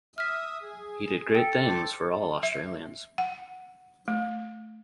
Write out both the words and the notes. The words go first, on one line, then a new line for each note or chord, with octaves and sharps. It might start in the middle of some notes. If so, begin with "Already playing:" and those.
He did great things for all Australians.
E5 D#6 F6 B6
G#4
A4 G5
C5 A5 D6
E5
F#5
A3